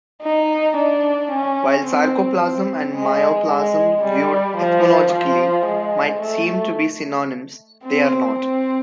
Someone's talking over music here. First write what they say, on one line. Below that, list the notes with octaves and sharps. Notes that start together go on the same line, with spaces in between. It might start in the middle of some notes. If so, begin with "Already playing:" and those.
While "sarcoplasm" and "myoplasm," viewed etymologically, might seem to be synonyms, they are not.
D#4
D4
C#4
C4
C4
G#3
G#3
G3
F3
F3
G#3
A3
C4
C4